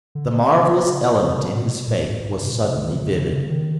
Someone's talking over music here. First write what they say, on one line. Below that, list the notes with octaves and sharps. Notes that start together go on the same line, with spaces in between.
The marvellous element in his fate was suddenly vivid.
D3
C#3
C#3
C3
C#3
C3
B2
A#2
G#2
G#2
G2
C3
A#2
B2
D3
D#3
D3
C3
C#3
C#3
D#3